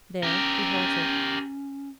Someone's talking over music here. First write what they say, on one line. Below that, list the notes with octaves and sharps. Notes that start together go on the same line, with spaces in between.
There he halted.
C#4 G4 A#4